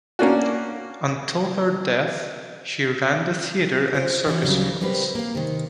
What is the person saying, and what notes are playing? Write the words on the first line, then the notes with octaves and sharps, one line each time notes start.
Until her death, she ran the Theatre and Circus Fields.
A#3 C#4 D4 F#4
F4 C5
E3 C4 D#4 F#4 A#4 C#5
D2 C#3 F#3 G3
F#3 G3 C4 A#4 B4
A#3 F5
C3 D#3